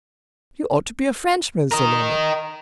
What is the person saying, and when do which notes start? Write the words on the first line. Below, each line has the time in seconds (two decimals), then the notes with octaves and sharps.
You ought to be a Frenchman, Sir Norman!
1.71 A#4 D#5